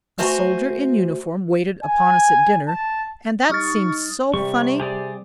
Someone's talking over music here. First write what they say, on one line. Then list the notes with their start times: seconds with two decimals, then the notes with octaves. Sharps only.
A soldier in uniform waited upon us at dinner, and that seemed so funny.
0.18 A3 F#4 C5 G#5 A#5
1.84 G#5
2.67 A5
3.50 G3 D#4 C#6 D#6 F6 A6
4.34 C3 G3 C#6
4.80 G4 G#4 D5